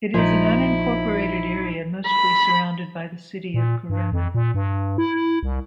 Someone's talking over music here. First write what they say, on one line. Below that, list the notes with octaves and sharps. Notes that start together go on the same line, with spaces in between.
It is an unincorporated area mostly surrounded by the city of Corona.
A#1 F3 D#4 E4
B5
A#2
G2
F2
A#2
G2
E4
C2